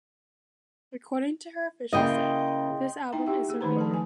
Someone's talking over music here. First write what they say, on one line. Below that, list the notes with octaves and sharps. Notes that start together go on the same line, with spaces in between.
According to her official site, this album is her favorite.
C#3 A#3 E4 D#5 G5 C6
D#4 E4 E5 G5 A#5 C6
F4 G4 E5 F#5 G5
A#3 G#4
D#3 A3 D#4 B4 C5 A#5
F3 A4 A5
F#3 G#5